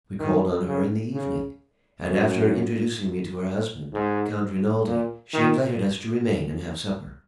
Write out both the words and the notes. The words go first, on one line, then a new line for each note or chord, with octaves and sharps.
We called on her in the evening, and, after introducing me to her husband, Count Rinaldi, she invited us to remain and have supper.
D#3
C#3
C#3
F#2
G#2
A#2
D#3